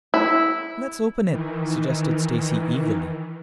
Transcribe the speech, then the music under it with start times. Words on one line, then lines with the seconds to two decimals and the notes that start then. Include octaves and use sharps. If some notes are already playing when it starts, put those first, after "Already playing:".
"Let's open it," suggested Stacy eagerly.
0.14 E4
1.26 D#3 E3